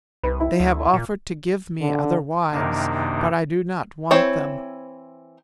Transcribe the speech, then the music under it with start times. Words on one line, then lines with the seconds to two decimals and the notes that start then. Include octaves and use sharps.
They have offered to give me other wives, but I do not want them.
0.23 C2 B4
0.40 E4
0.60 D2
0.94 A#2
1.81 D3
2.51 F#2 C3 D#3 A#3 D4 D#4
4.11 E3 C4 E4 C5 C#5